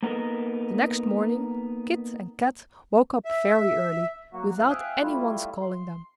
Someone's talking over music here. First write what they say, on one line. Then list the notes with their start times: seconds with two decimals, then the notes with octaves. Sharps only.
The next morning Kit and Kat woke up very early, without any one's calling them.
0.03 A#3 B3 D#4 A4 A#4
3.25 E5
4.33 F#3 A#3 F#4
4.58 F2 G#2 F5
4.70 E5 F5 G5 G#5 D#6 F#6
5.01 G3 A3 E4 F4
5.62 C6